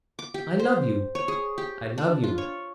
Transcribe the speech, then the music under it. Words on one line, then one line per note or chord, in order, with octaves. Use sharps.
I love you!--I love you!
D6
G4
C5
C#5
G#4
G4
D4
F4
C#5